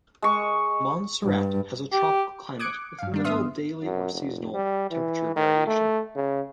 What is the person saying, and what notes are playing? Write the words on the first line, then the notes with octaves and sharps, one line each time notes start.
Montserrat has a tropical climate, with little daily or seasonal temperature variation.
G#3 C#6
G2
G4
D6 D#6 F#6 G#6 C#7 D7
G2 F5
D#3 G3 D4
G#2 B3 E5 C6 D#6 F6
F#2
F1
G3
E3
D#3
A3
C#3